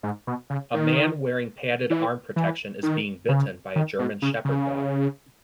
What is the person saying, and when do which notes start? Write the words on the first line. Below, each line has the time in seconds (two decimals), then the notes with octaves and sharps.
A man wearing padded arm protection is being bitten by a German shepherd dog.
0.03 G#2
0.27 B2
0.50 C#3
0.74 D#3
1.90 E3
2.36 E3
2.83 D#3
3.29 C#3
3.76 D#3
3.99 B2
4.22 C#3
4.45 C#3